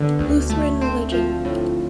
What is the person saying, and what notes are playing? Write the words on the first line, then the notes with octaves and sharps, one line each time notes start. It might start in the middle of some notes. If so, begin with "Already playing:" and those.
Lutheran religion.
Already playing: D3 B3
D2
A3
C4
F3
A2